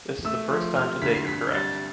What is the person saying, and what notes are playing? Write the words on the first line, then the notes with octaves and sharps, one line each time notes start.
This is the first time today you’re correct.
A3 E6
F3
C3 F6
D2 B6
C7
G2 B6
G3 A6